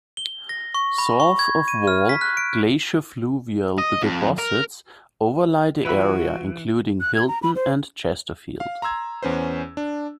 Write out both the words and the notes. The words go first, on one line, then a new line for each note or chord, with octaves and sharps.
South of Wall glaciofluvial deposits overlie the area including, Hilton and Chesterfield.
G7
A#6
C#6
B5
C#6
G#6
D#7
F6
B6
F#6
D7
D#5
F2
A#4
E3 F4 F#4 B4 E5 B5
F#6
G#6
A#5
B5
C5
F5
A#5 C6 E6 G#6
E2 C#4 B4 C5
D4